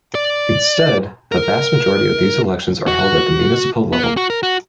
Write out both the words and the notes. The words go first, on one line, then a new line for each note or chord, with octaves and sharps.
Instead, the vast majority of these elections are held at the municipal level.
D5
A#4
F#4
B3
A#3
F#4
A#4
F#4